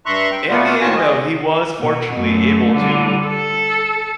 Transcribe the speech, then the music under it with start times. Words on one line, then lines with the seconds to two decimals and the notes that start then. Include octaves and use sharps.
In the end though, he was fortunately able to
0.06 G2 E5 A#5 C6 C#6 F#6
0.32 G5
0.50 B2 A3 B3 F4 D5 F#5
0.81 A2 D#3 F4 F#4 G#5 A5
0.96 G#4 D#5
1.79 B2
2.16 F#2 A3
2.73 D3 G3
3.25 A4